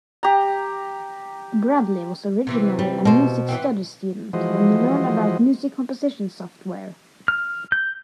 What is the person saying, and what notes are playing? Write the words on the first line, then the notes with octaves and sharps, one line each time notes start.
Bradley was originally a music studies student when he learned about music composition software.
G4 A#5
C3 E3 C4
G3
B2 C5
E3 B3 C4
E3 F3 G#3 F#4 C5 D#5
F6
G6